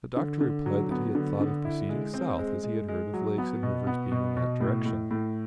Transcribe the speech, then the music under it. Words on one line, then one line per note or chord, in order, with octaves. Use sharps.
The Doctor replied that he had thought of proceeding south, as he had heard of lakes and rivers being in that direction.
D3
D3
F#3
B3
D3
D3
E4
G#3
C4
G#3
G#3
G#3
F#3
B3
B2
B3
B2
B2
A2
A2
A2